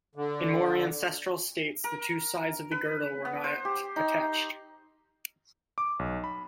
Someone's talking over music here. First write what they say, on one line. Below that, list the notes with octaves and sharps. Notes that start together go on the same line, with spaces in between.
In more ancestral states the two sides of the girdle were not attached.
D3
A#4
B4
B3
C5
G4
D#4
D6
B1
B5